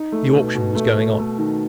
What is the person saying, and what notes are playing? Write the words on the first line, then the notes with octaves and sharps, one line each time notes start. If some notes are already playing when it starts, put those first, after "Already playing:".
The auction was going on.
Already playing: D#4
A3
B2
B2
A3
A3
A3
D#3